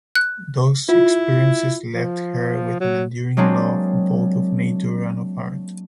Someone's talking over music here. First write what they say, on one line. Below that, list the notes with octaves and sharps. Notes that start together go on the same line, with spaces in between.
Those experiences left her with an enduring love both of nature and of art.
F#6
E4 F4
F3
F#3
F#3 G#3 A#3 C4 D4